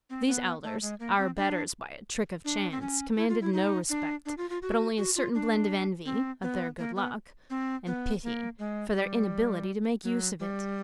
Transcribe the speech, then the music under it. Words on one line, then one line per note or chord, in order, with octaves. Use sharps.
These elders, our betters by a trick of chance, commanded no respect, but only a certain blend of envy--of their good luck--and pity--for their inability to make use of it.
C4
B3
A3
G#3
A#3
C4
D4
D4
C4
C#4
E4
F4
E4
D#4
D4
D4
F4
F4
F#4
F#4
F4
D4
C4
B3
A#3
B3
C4
B3
A#3
G#3
G3
F#3
G3